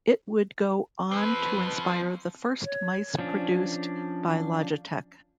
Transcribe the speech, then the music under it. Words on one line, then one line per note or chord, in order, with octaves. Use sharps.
It would go on to inspire the first mice produced by Logitech.
F3 C4 B4
C#5
F3 C#4 D4